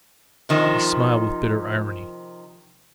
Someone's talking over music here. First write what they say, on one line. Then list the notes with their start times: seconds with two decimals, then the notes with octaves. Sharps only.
He smiled with bitter irony.
0.49 C3 D#3 F3